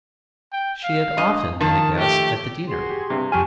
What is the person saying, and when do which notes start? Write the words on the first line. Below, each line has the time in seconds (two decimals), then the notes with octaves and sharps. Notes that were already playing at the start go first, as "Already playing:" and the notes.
She had often been a guest at the deanery.
0.53 G5
0.84 F5
1.17 G2 D#5
1.61 D#3 F3 A#3 A5
1.98 A3 G4
2.67 F#4 G#4 C6
2.90 G4
3.10 G2 C3
3.32 F2 G4 G#5 A5 C#6 F6